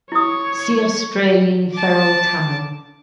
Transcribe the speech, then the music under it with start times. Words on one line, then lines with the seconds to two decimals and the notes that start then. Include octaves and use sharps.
See Australian feral camel.
0.12 E4 C#5 D#6
1.72 A5 D6